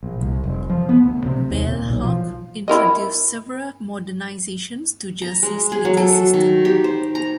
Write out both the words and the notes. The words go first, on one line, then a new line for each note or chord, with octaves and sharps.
Bailhache introduced several modernizations to Jersey's legal system.
A#1
C2
F1
F3
B3
D2
C3
D#2
A#2
B1
F3
E4 A#4 D#5
A#5
G#3
G#4
F#3
A4
F#4
D#3
G4
C5
A#5